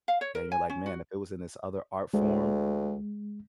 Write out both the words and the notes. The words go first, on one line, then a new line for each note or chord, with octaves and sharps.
and you're like, "Man, if it was in this other art form,"
F5
C#5
A#4
G#5
C#4
F#4
D2 G#3